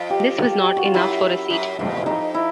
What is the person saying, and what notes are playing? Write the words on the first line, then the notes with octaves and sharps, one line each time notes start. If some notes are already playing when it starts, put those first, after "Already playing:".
This was not enough for a seat.
Already playing: F2 F4
G4
F#4
F4
F#2 E4
F#2
F2
F2 D#4
E4